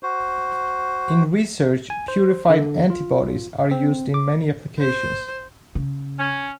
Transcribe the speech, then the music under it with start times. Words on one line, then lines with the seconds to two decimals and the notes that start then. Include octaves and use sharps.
In research, purified antibodies are used in many applications.
0.03 F#4 C5
1.90 G#5
2.08 C5
2.49 D3
2.90 F4
3.71 C4
4.14 D6
4.79 C5
5.75 C#3
6.19 C#4